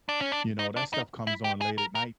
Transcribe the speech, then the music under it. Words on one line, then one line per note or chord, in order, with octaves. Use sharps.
you know, that stuff comes on late at night.
D4
C#4
D4
D#4
D4
D#4
E4
G4
G#4
A#4
A#4